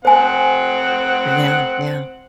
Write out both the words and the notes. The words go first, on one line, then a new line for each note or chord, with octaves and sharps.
Yeah, yeah.
C4 C5 F#5 G#5